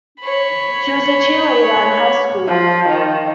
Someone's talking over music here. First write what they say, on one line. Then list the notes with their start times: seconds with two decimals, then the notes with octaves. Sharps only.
She was a cheerleader in high school.
0.22 C#5 B5
2.47 F3
2.88 D#3